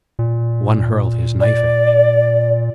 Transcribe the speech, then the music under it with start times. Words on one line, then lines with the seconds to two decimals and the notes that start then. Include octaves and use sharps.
One hurled his knife at me.
0.19 A#2
1.41 D5